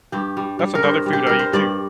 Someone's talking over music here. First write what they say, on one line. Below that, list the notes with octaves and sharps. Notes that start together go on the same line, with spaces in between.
That's another food I eat too.
G2 G4
G3
G3
A#4
G2 C5
G3
G4
G3 A#4
C5
G2 D5